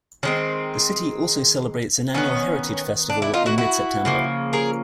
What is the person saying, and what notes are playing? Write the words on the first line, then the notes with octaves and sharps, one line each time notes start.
The city also celebrates an annual Heritage Festival in mid-September.
D#3 G#3 C4 C#4
D#3 G3 B3 C#4
D4
D4 E4
D#4 F4
E4 F#4
E4 F#4
C#3 F3 A#3
G#4 A#4